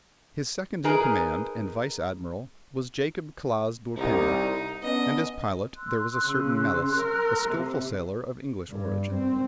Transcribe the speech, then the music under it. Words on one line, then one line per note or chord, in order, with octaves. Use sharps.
His second in command and vice-admiral was Jacob Claaz d'Ulpenda, and as pilot there was a certain Melis, a skilful sailor of English origin.
D#4 G#4 A#4 B4
C2 D#4
B3 C#4 D4 D#5
C6 E6 F#6
C#3
A#4
C3
G2
C4